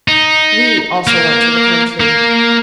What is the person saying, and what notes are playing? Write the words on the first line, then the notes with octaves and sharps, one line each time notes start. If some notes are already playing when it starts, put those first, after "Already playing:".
We also went to the country.
D#4
A#3
A#3